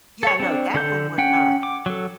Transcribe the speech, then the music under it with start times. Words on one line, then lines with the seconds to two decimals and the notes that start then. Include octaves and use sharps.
Yeah, no, that one was not,
0.23 A4 C#5
0.40 C4 D4
0.74 D3 A4 G6
1.18 C#4 F#5 G5
1.63 D6
1.86 F#3 A4